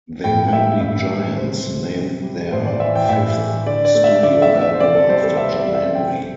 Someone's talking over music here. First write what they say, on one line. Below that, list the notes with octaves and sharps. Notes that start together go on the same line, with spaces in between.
They Might Be Giants named their fifth studio album after John Henry.
A2 G5
G5
G3 E5
A2 E5
G3
C3 C5
G3
C3
G3
A2 C5
D5
E3 A3 E5
G5
A2 E5
E3 A3
D3 D5
D5
A3
E5
D3 D5
E5
A3
E5
C5
C3 D5
A4
G3 C5
A4
C3 E5
C5
D5
G3
E5
C3 G5